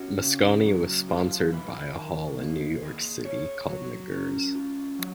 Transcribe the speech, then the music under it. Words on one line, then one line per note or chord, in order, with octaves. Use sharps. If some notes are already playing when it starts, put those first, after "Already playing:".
Mosconi was sponsored by a hall in New York City called McGirr's.
Already playing: C#4 F#4
C#3
F#3
F4
B4
D#3
A#3
G#4
C#5
F#3
C#4
F4
F#3